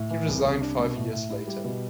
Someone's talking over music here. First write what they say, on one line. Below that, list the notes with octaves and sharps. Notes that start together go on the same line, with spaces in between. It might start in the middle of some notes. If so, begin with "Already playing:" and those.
He resigned five years later.
Already playing: A2
E3
C2
C2
D4
B2
A2
A2
E4
G3
B2